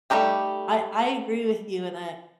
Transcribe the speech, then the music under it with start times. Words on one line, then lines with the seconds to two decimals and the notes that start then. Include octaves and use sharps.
I I agree with you, and I
0.10 G3 A3 D#4 G4 G5